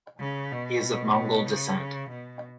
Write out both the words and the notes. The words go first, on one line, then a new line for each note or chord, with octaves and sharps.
He is of Mongol descent.
C#3
B2
C#3
B2